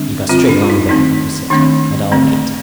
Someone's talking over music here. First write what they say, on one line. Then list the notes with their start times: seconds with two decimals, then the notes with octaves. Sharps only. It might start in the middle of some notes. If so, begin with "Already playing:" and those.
"You go straight along there," he said, "and I'll wait."
Already playing: D3 G3 C4 D4
0.29 D3 G3 C4 F4
0.49 D4
0.62 F4
0.70 D#4
0.89 D#3 A3 C4 D#4
1.50 D#3 A3 C4 D4
2.12 D3 A3 C4